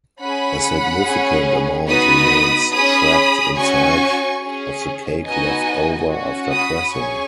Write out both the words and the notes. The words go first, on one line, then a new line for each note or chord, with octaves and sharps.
A significant amount remains trapped inside of the cake left over after pressing.
C#4 G#4 F#5 B5
C#4 G#4
B3 D#4 F#4 B5 D#6
C#4 G#4 B5 D#6
C#4 F#4 G#5 C#6
C#4 G#4
B3 D#4 F#4 D#5 G#5
C#4 F#4
B5 D#6
C#4 G#4 G#5 C#6